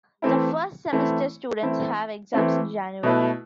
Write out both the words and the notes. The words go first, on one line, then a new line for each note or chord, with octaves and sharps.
The first semester students have exams in January.
E3 A3 C4 E4
E3 A3 C4 E4
E3 A3 C4 E4
E3 A3 C4 E4
B2 A3 E4 B4